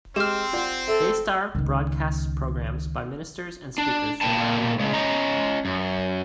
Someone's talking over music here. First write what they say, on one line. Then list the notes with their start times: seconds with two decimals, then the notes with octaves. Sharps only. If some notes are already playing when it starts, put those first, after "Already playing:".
Daystar broadcasts programs by ministers and speakers from around the world.
0.16 G#3 C4 G4 F6
0.53 F4 D5 F#5
0.88 A4 E5
1.55 C#2 D#3
3.78 D4
4.21 A#2 A#3 G5 A5
4.79 A2 C#3 G#3
4.93 C#4 D#5 A#5
5.65 F#2